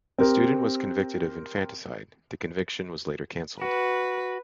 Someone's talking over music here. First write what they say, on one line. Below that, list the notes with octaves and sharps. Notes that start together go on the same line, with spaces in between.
The student was convictied of infanticide, the conviction was later cancelled.
C4 G4 A#4
F#4 B4